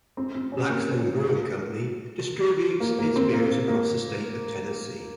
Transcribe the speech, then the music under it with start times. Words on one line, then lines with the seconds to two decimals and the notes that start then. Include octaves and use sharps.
Blackstone Brewing Company distributes its beers across the state of Tennessee.
0.17 C4
0.35 C4
0.52 C#4
0.69 A#3
2.80 A#3
2.99 A#3
3.16 C4
3.33 A#3
3.68 A#3